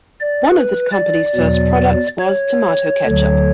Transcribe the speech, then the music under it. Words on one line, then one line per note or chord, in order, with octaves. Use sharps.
One of this company's first products was tomato ketchup.
D5
B4
D5
E2 B2 F#3
C#5
D2 D3 F#3